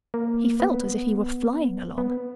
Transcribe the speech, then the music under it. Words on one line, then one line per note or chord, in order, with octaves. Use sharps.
He felt as if he were flying along.
A#3
B3
B3